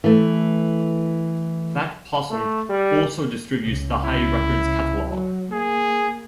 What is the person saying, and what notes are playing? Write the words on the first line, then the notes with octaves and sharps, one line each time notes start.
Fat Possum also distributes the Hi Records catalog.
E3 A3
A3
G3
C#2
E4
F#3
A#3 G#4